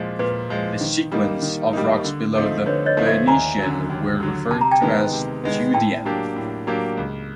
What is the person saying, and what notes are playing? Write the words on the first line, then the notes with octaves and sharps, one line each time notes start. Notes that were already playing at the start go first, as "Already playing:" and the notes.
The sequence of rocks below the Bernician were referred to as the Tuedian.
Already playing: A#2 F3 G#3
A#2 B4
F3 G#3
D#3
G3 A#3 D#4
D#3
G3 A#3 D#4
D3
F3 A3 C4 D#4
D3 B4 C#5
C#5 D#5
F3 A3 C4 D#4
D5 E5
D#2 G#5 A#5
D3 F#3
D#2
D3 F#3
C3 A5
A#5
G5 A5
D#3 G#3 B3
C3
D#3 G#3 B3
A2 G5 A5
F#3 A#3 D4 G4
A2
F#3 A#3 D4 G4
C#2